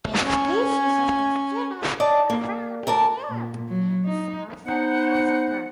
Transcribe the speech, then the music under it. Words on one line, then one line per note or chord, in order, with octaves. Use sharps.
The species of this genus are found in Europe and Southern Africa.
C#4 G#5
D5 D#5 A5
A#3
D2 A#4 D5 A5
A#2
F#3
D#4
B3 D#4 C5 F#5